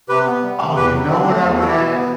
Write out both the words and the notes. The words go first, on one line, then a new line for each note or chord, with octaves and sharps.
Oh, you know what I would add?
C3 G4 B4
B3
G3
C3
E2 G4 B4
F#3
D3 C4
D4
A3 C4
E2 C4
B3
G3 F#4 A4
E4 G4
B2
B3